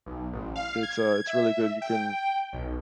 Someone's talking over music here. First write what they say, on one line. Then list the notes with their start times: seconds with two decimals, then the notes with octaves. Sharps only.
it's, uh it's really good. You can
0.06 B1
0.33 A1
0.56 F5
0.83 G#6
1.27 E5
1.82 G5
2.53 B1